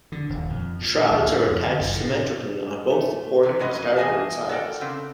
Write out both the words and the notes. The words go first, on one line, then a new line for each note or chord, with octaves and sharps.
Shrouds are attached symmetrically on both the port and starboard sides.
D3
D#1
F2
A#2
D2
A2
F2
D3
F#1
A2
A3
C3 E3
F2 C#4 F#4 A#4 B4 D#5
E2 G#4 D#5 G#5 A5
F#4 A4 A#4 D5 F#5 G5
C#3 C4 D4